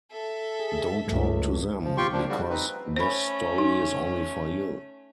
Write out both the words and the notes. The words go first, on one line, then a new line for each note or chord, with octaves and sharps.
Don't talk to them, because this story is only for you.
A4 E5
G#4
C#2 G2 A3
F3
F4 G4 G5 C6 C#6
F3 A#3 D4
C#3 G3 F#4
C4 D#4 B4
A3 C#4 C5 B5
D#4